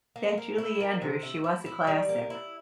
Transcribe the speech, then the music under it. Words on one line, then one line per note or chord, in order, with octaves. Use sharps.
That Julie Andrews, she was a classic.
A#3
A#3
E4
A#3
C3
E4
E4
E4
G3
A#3
E4